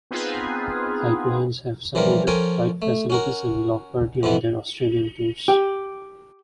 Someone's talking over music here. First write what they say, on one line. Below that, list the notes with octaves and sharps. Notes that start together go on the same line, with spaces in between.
Haiku Hands have supported Flight Facilities and Bloc Party on their Australian tours.
B3 C4 D#4 F4 G#4 B4
C#3 E3 F3 G3 A#4
F3 C#4 A4 A#4 G5 G#5
A3
C#4 F#4 A#4
F2 B2 E3 B3
G4